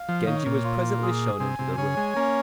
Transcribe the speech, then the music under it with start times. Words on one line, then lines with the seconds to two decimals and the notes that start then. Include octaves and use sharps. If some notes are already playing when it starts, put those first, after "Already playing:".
Genji was presently shown into the room.
Already playing: F5
0.09 F3
0.27 D#3 C#5
0.46 A#2
0.64 F4
1.03 G#4
1.40 C3 G#5
1.59 C3
1.78 C#3 C#5
1.97 G#3
2.15 A#3 C#4